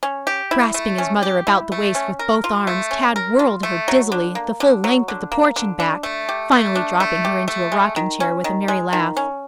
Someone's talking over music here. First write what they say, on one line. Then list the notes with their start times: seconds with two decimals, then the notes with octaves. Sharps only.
Grasping his mother about the waist with both arms, Tad whirled her dizzily, the full length of the porch and back, finally dropping her into a rocking chair with a merry laugh.
0.03 C#4
0.27 G4
0.51 E4
0.74 A3
0.98 C#4
1.23 G4
1.47 E4
1.72 A3
1.95 C#4
2.19 A#4
2.44 F4
2.67 A3
2.91 C#4
3.16 A#4
3.39 F4
3.63 A3
3.88 F#3
4.12 D3
4.35 A#3
4.60 D3
4.84 F#3
5.08 D3
5.32 A#3
5.56 D3
5.80 D4
6.03 A3
6.29 G4
6.52 A3
6.75 D4
7.00 A3
7.25 G4
7.48 A3
7.72 G#3
7.96 D#3
8.20 C#4
8.44 D#3
8.68 G#3
8.93 D#3
9.17 C#4